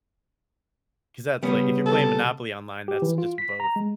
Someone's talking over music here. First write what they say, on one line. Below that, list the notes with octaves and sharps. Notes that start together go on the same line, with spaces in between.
'Cause that's like, if you're playing Monopoly online, that's just both.
C#3 G3 B3 C#4
A4
G4
E3
F4
B6
A#5
G#3